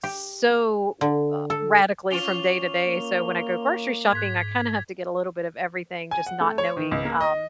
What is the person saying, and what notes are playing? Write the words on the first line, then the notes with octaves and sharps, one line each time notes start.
so, uh, radically from day to day, so when I go grocery shopping, I kinda have to get a little bit of everything just not knowing um,
G4
D3
A4
C#4 F4 D6 F7 G7
A#3
G#2 F#6 G#6 B6
G#5
F#5
A3
C#5
D#3
C#2
A#3
D#5